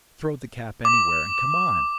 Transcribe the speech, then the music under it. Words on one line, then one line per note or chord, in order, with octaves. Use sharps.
"Throw the cap anywhere and come on!"
D6